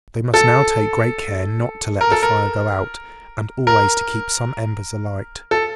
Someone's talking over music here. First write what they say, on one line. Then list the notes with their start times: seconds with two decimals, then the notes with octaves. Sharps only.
They must now take great care not to let the fire go out, and always to keep some embers alight.
0.34 A4
2.01 A#4
2.12 A4
2.23 A#4
3.67 A#4
5.51 A4